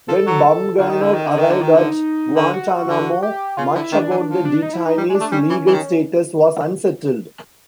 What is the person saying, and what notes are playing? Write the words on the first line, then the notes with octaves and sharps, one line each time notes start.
When Bumgarner arrived at Guantanamo, much about the detainees' legal status was unsettled.
F3 A4
F#3
D3 F4
D#3 D#4
D3 E4
D#3 D#4
D3
D#3
D3
D#3
D3
D3
F#4
D3
G4
C#3 F4
D3 E4
D#3 D4
E3
F3
D4
D#4
E4
D#4
G3
G#3
D4
A3
G3 C#4
E3
E3
D#3